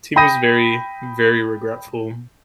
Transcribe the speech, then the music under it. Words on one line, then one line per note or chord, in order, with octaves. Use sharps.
Temu's very, very regretful,
G5 B5 D#6 G6 A#6 D#7